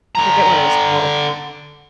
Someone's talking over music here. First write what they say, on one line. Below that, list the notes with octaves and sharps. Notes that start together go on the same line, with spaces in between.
I forget what it was called.
D3 A#5